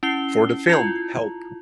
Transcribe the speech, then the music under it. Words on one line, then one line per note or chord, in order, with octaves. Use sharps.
For the film Help!
C#4 E4 C7 G7
E4 F4